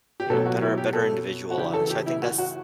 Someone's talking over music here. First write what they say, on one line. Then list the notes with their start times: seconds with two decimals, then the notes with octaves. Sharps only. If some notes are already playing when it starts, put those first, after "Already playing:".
you know, better better individual, um, so I think that's
0.20 G4
0.30 B2 A4
0.33 F#3
0.46 F#4
0.62 E4
0.78 G4
0.93 A4
1.51 F#4
1.57 C#3 E3 G4
1.74 A4
1.90 G4
2.06 E4
2.22 F#4
2.38 F#4